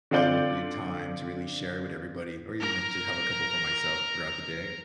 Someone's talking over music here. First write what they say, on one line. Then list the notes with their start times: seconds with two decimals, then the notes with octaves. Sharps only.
have a great time to really share with everybody or even then just have a couple for myself throughout the day.
0.11 D3 C4 F4 D5 G6
2.60 A#4 A#5